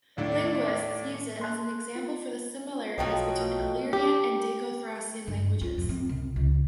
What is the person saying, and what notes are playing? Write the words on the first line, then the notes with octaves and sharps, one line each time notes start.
Linguists use it as an example for the similarities between Illyrian and Daco-Thracian languages.
D#2 A2 D4 D5
A#3 C6 F#6
F4
B1 B2 F3 F#3 D#5 G5
G4
G2
F4
F2 A2
C4
C2
C#2